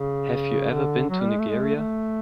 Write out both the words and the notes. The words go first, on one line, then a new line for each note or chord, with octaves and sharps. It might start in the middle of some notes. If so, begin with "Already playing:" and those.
Have you ever been to Nigeria?
Already playing: C#3
D3
F#3
G3
G#3
A3
G#3
A3
A3